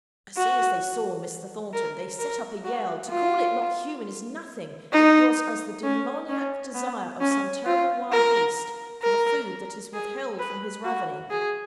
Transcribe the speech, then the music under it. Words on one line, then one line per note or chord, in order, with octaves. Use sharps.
As soon as they saw Mr. Thornton, they set up a yell,--to call it not human is nothing,--it was as the demoniac desire of some terrible wild beast for the food that is withheld from his ravening.
F#4
A#4
A#4
F#4
F4
D#4
C#4
C#4
B3
C#4
F4
A#4
A#4
G#4
B4
F#4
G#4